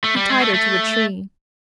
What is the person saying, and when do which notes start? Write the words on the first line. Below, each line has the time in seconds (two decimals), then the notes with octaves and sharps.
He tied her to a tree.
0.04 A3
0.16 G3
0.29 G#3
0.41 A3
0.54 A3